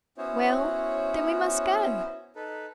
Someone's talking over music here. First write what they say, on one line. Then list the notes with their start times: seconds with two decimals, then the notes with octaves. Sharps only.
"Well, then we must go!"
0.18 B3 C#4 E4 F#4 C5 C#5
2.36 D#4 A4 B4